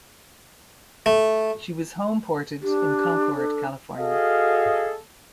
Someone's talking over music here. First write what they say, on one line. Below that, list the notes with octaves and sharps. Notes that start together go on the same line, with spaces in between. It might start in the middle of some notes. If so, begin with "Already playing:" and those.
She was homeported in Concord, California.
A3
D4 G4
A4
F#4 G#4 A4 D#5 F5